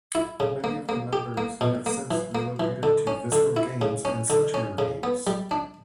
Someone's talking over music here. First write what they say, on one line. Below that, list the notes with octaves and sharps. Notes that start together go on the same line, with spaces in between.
Many of the members have since relocated to Visceral Games and Sledgehammer Games.
E4
C#3
A#3
A#3
G4
A#3
B2
A#3
E3
A#3
E3
D3
C#4
D3
E4
C#3
C#4
D3
C#4
C#3
B3
G3
D4